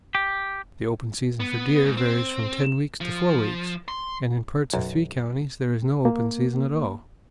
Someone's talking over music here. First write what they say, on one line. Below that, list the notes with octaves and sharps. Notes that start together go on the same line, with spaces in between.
The open season for deer varies from ten weeks to four weeks, and in parts of three counties there is no open season at all.
G4
B3
G#2
C4
F3
C6
B1 F#2
A#3